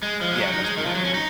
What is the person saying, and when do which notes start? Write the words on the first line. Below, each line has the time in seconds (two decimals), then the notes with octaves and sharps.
Yeah, must have been in the
0.03 G#3
0.21 F3
0.32 G#3
0.40 F#3
0.52 D#4
0.64 G#3
0.77 D#3
0.86 F3
0.95 F#3
1.04 C#4
1.14 D#4